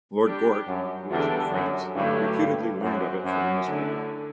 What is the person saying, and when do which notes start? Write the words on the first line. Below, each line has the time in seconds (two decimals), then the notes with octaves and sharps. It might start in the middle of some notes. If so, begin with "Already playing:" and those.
Lord Gort, who was in France, reputedly learned of it from a newspaper.
0.25 G3 D4 G4
0.67 F#2
1.10 E2 D3 G3 D4 A4
1.53 F#2
1.95 G2 D3 F#3 A3 E4 G4
2.39 G2
2.81 F#2 C4 F#4 C5
3.24 F#2
3.67 D3 A3 E4